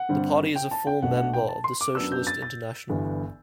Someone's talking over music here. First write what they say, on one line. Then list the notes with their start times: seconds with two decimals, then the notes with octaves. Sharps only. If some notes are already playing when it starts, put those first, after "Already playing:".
The party is a full member of the Socialist International.
Already playing: F#5
0.09 G2 D3 G3 C4
0.56 G5
0.71 A5
0.87 G5
1.02 B1 B2 A3 D4 F#5
1.17 F#5
1.34 G5
1.48 A5
1.64 C6
1.81 D6
1.95 F#2 F#3 B3 D4 E6
2.12 G6
2.27 A6
2.42 A6
2.89 G1 G2 E3 B3